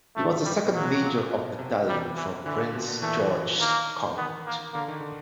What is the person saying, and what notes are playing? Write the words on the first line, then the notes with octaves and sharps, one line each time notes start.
He was the "second major of battalion" for Prince George's County.
A2 A3
G#2 G3
B2
A#2 F#3
A#2
B2
C3
C3 G3
E3
D3 E3
A#2
B2
A#2
E3 A3
D#3 A#3
D#3 B3
A#3
D3 A#3
D#3
D3